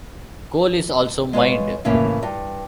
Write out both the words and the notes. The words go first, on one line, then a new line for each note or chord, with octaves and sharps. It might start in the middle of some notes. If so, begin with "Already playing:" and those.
Coal is also mined.
G#3 F4 B4 C#5
A2 C#3 E3 A#3 C#4
G2